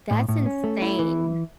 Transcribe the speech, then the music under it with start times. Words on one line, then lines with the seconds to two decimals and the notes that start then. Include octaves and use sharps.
That's insane.
0.11 A2
0.29 A2
0.46 C#4
0.64 A3
0.82 E4
0.99 E3